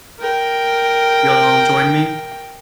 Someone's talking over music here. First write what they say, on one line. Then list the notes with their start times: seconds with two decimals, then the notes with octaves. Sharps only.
You'll join me?
0.19 A#4 G5